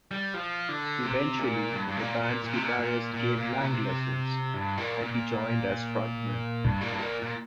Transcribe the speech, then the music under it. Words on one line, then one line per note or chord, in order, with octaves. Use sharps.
Eventually, the band's guitarist gave Lang lessons, and he joined as frontman.
G3
F3
D3
C3
A#2
G2
G2
A#2
A#2
A#2
C3
A#2
A#2
A#2
A#2
C3
G2
A#2
A#2
G2
A#2
G2
A#2
A#2